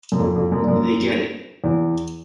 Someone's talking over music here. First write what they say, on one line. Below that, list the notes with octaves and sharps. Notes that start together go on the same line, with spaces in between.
They get it.
F#2
F2
F2
F#2
G2
F#2
E2